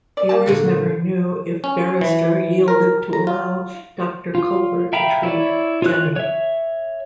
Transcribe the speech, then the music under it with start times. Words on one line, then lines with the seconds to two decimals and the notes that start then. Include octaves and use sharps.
Viewers never knew if Barrister yielded to allow Doctor Culver to treat Jenny.
0.17 D5
0.29 A#3 G4 A5
0.46 A#2 D3 F#4
1.64 C#4
2.01 E3
2.68 A#4
3.13 A#5
3.27 F4
4.35 F4
4.93 E5 F5 G5 A#5 B5
5.23 E4 C#5 D5
5.82 F4 C#5 F#6
6.16 C#5 E5